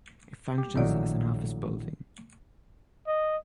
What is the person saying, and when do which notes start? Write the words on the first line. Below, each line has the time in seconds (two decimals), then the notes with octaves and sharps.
It functions as an office building.
0.58 G4
0.76 A#1 A2 D#3 F#3 D5
3.07 D#5